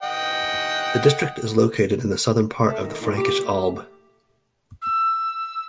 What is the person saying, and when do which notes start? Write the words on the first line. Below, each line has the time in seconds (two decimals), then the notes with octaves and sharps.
The district is located in the southern part of the Frankish Alb.
0.03 D#5 F#5 G5
2.66 A3
2.81 D#3
3.01 A#2
3.17 G4
3.44 A3
4.82 E6